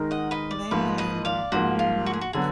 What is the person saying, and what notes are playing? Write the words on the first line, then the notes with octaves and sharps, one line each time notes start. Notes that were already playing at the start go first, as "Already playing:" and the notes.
Man, mhm.
Already playing: D#3 G#3 D#4 A#4
D#5 F#5
B4 D#5
D5
G#2 F3 A#3 B4
B4 D#5
D5 F5
G#2 F3 A#3 F#4
F4
F#4
G#4
F#4
D3 F#3 B3 G#4